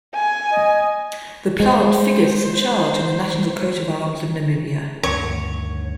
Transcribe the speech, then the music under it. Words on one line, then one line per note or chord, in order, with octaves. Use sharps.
The plant figures as a charge in the national coat of arms of Namibia.
G#5
D#5
G#3 C5
D2 G2 D#3 C#5